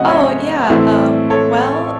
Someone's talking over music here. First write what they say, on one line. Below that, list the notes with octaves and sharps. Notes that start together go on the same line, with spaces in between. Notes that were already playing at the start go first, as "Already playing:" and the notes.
Oh, yeah, um, well,
Already playing: C#3 F#3 A3 C4 D#5 F#5 G#5
C#5 E5
A2 E3 A3 C4 E4
A4 C#5